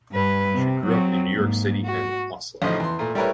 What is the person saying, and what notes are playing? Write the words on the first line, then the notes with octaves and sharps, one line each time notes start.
She grew up in New York City and Oslo.
G2 B4
C3
F#3 C4
G#2 A#3
F#4
A1 C#3 F3 D#4 C5 D#5
E2 C6
A#2 A3
G3 A3 E4 A#4 B4 C#5